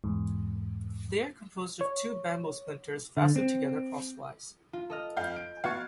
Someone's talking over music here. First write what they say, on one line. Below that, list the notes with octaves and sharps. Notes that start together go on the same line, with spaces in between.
They are composed of two bamboo splinters fastened together crosswise.
E2 G#2
C#5
D3
C4
F4
A4 D#5 F6
F2 F5 G6
D7
B3 F#4 F5 C#6 G#6 A6